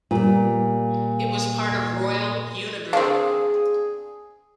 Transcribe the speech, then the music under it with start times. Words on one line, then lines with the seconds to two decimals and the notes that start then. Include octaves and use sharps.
It was part of Royal Unibrew.
0.11 A#2 G3
2.93 C4 D4 G#4 F5